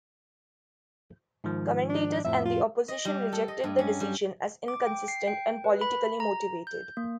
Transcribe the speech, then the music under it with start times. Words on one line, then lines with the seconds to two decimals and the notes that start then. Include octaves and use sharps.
Commentators and the opposition rejected the decision as inconsistent and politically motivated.
1.44 G#2 D#3 F3
1.89 D4
2.24 F2 A2 F3 E5
2.45 F4
2.88 D#5
3.05 G3
3.32 A4
3.48 D#5
3.64 G2
3.79 C#4
4.00 G3
4.68 D6
4.87 G5
5.08 C7
5.27 G5
5.64 B4
5.81 B5
6.20 A#5
6.67 G6
6.97 A#3